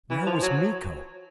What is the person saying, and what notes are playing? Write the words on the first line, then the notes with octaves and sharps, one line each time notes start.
Where was Miko?
E3
F3
F#3